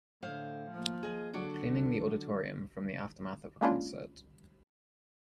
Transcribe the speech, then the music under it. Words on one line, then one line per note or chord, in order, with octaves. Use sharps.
Cleaning the auditorium from the aftermath of a concert.
A2 D3 C5 F5
F3 A#3
G#4 D#5
D3 F#3 D4 F#4
G#3 A#3 C#4 D4 E4 F4